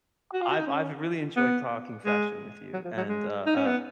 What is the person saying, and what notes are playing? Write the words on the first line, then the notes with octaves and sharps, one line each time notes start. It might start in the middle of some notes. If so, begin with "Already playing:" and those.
I've I've really enjoyed talking fashion with you, and, uh, uh,
F#4
F4
F#4
D#4
C#4
B3
G#3
F#3
F3
F#3
G#3
D#4
C#4
B3